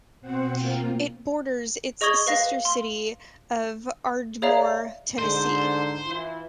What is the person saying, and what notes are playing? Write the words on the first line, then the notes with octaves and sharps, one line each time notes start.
It borders its sister city of Ardmore, Tennessee.
B2 C4 C5 F#5
A#3 C4 F4
G#4 D#5 C#6 D#6 G#6 G7
B4 F5 A#6
C6
G#4 C#5 D5 E5 F5 A#5
G#2 D3 C5
E3 E4 F4